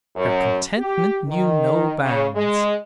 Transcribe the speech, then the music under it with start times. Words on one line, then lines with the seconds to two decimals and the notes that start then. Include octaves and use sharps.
Her contentment knew no bounds.
0.16 F#2
0.78 G4
1.28 D#3
2.02 C#3
2.35 G#3